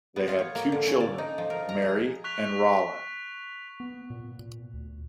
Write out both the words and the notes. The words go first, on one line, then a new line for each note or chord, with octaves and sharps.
They had two children, Mary and Rollin.
B3
F4
C#5
A#3
D3
C#4
D5
D#4
F3
A#4
A#5
G#4
C#6 F#6 B6 F7
B3
A#2
A#2
D2